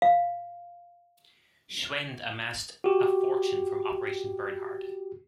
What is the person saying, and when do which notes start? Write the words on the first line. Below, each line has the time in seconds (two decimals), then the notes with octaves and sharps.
Schwend amassed a fortune from Operation Bernhard.
0.02 F5
2.84 F#4 G4